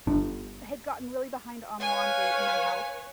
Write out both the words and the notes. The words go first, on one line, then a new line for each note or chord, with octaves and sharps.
had gotten really behind on laundry in my house
G1 D4
B4 C#5 F5 G#5